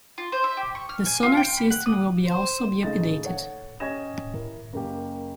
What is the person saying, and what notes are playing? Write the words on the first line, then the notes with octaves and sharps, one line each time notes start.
The sonar system will be also be updated.
F4
C5
E5
G4
C#6
F6
G#5
F4
G5
B5
F#5
D#6
C5
C#3 A3 D#4 D#5 A6
A4 C#5 F#5
C#4 G4 D#5 G#6 A#6 E7
E4 A#4
F#1 A#3 G4